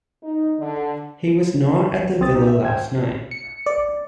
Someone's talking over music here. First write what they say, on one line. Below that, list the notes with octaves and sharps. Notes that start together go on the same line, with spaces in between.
He was not at the villa last night.
D#4
D3
C2 C4 D#6 A6
D#4 G4
E5
D#2 C5 G5 G#6
C#7
D5